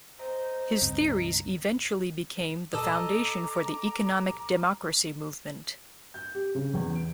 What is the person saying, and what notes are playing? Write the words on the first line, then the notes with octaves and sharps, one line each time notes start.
His theories eventually became the foundation for the economic democracy movement.
C5 D#5 A#5
C#2 G2 C4
A4 D#5 A#5 D6
G6
G4
C#3
E2
D7